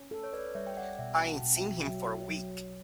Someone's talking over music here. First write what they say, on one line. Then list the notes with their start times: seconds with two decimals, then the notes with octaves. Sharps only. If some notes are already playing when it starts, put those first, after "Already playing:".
I ain't seen him for a week.
Already playing: C#4
0.11 A4
0.23 C#5
0.33 B4 D5
0.55 G3 C#5 E5
0.67 G5
0.77 D5 F#5
0.98 B2 E5 G5
1.16 G5
1.27 F#5 A5
1.42 B2
1.57 E5 G5
1.86 F#3 E5 G5
2.30 F#3